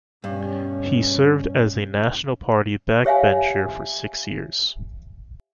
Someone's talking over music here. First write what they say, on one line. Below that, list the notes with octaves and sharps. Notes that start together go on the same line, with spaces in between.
He served as a National Party backbencher for six years.
G2 B2 C#4
G4 C#5 E5 F5 G#5